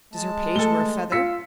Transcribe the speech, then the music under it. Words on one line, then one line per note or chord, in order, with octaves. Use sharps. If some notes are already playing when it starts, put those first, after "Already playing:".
Does her page wear a feather?
G#3 A5
A3 A4 G7
F4 E6 B6 C#7